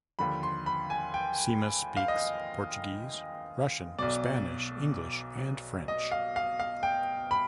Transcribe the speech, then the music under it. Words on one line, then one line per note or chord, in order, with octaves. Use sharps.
Simas speaks Portuguese, Russian, Spanish, English and French.
D#2 D3 F3 B5
C6
B5
G#5
G5
F5
D#5
B1 B2 D5
D#5
F5
F5
F5
G5
B5